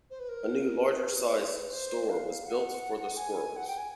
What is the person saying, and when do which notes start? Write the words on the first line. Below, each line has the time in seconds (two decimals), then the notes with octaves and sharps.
A new larger sized store was built for the Squirrels.
0.10 C5
0.19 B4
0.29 A#4
1.00 B4
1.72 C5
2.09 F5
2.45 F#5
3.17 G#5
3.56 F#5
3.67 G5
3.78 G#5